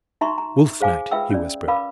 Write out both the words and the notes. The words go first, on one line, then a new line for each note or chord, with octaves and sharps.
"Wolf night!" he whispered.
D#4 F#4 E5 A#5 C6 C#6
A#5
G#4 C5 F5 G#5 D6
F4 B4 E5 G5 E6
C#4 D5
A#4 B4 F5 B5 D6